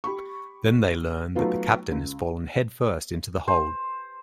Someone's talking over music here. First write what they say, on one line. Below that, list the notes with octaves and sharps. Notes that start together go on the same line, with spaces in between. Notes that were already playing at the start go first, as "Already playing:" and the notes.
Then they learn that the captain has fallen head-first into the hold.
G4 B5 C#6
F#3 A3 B3 D#4 F4 B4
C#2
C5